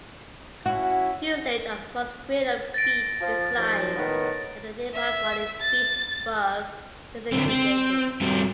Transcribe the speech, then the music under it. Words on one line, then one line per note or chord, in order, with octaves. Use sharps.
Usage of Mosquito Beach declined after nearby Folly Beach was desegregated.
C#4 E4 F#4 F#5
A6 A#6 D7
F3
D#2 F3
A2 D#3 B3
E5
A6
D3 F#3 C4
C4
G3 C4 F#4 G4